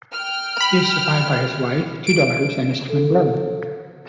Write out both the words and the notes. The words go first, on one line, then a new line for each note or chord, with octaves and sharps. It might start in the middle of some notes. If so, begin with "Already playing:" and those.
He was survived by his wife, two daughters, and his twin brother.
G5 F6
B5
D7
A4